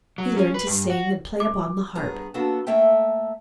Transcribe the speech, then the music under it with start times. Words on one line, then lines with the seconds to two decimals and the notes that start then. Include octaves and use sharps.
He learned to sing, and play upon the harp.
0.18 F#3
0.37 C#4
0.54 B4
0.67 G2
0.90 F#4
1.40 D6
1.95 G2 B3 G#4 A#5
2.34 A#3 B3 D4 F#4 A4
2.67 A3 A#3 A4 E5 G5